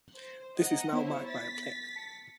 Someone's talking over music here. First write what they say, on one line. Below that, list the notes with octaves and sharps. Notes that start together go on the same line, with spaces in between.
This is now marked by a plaque.
C5
D#5 F#5 A#5
B3 E4 C5 C#5
A6 B6
A5 C#7